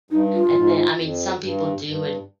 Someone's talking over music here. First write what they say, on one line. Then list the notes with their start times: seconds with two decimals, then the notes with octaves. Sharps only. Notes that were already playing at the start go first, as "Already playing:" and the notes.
and then I mean, some people do and,
0.11 G2 D#4
0.33 F4
0.46 A#2
0.54 G#2
0.99 F2
1.42 G2
1.86 G2